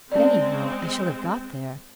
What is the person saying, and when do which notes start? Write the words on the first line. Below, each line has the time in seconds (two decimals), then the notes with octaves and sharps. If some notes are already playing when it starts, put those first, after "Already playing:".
But, anyhow, I shall have got there.'
0.12 G#3 C4 C#4 D5